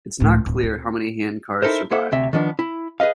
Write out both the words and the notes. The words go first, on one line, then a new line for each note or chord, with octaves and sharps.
It is not clear how many handcars survived.
C#2 A2
D1
C4
D#4 E4 A4 A#4 C5
A#3 E4 A4 C5 E5 F#5
D2 C3 E5
D#3 F3 B3 D4
E4
G#4 B4 D#5 F5